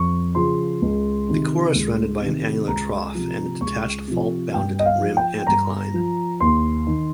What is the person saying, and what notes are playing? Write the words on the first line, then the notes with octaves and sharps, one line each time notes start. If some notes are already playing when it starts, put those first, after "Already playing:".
The core is surrounded by an annular trough and a detached fault-bounded rim anticline.
Already playing: F2 C#6
C#3 F3 C6
C#2
C3 D#3
C#2
C3 D#3
C#2 A#5
C3 F3
C#2 C#6
C3 F3
G2 G5
D#5
F5
F3
G5
G2 A#5
F3
D#2 C6
D#3